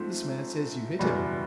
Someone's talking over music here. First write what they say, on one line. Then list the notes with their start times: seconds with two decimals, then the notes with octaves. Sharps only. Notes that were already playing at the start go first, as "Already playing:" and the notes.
'This man says you hit him.'
Already playing: G#2 F3 A3 C4
0.99 F#1 E2 B2 G3 B3